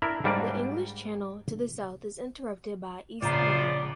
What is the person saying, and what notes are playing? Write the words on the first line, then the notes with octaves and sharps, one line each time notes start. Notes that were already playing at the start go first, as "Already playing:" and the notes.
The English Channel to the south is interrupted by Eastbourne.
D4 E4 A#4
G#2 G3 A#3 D4 G4 D5
A#1 C#3 B3 F4 C5 D5 A#5